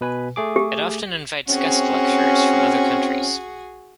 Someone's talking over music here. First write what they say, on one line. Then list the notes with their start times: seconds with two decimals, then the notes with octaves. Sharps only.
It often invites guest lecturers from other countries.
0.01 B2 B4 G#5
0.36 A3 G#4 D6
0.56 G4
1.49 C4 C#4 F#4 G#4